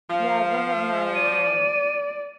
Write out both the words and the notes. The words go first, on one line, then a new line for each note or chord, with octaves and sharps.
Yeah, one of my, um
F3 F5
D5 D#7